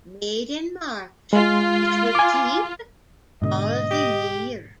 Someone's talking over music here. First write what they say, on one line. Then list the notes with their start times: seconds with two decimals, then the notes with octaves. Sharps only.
Made in March, it would "keepe all the yeere".
1.33 G#3 F4
2.15 G#5 D6
3.42 G#2 B2 D3 D#5
3.91 G4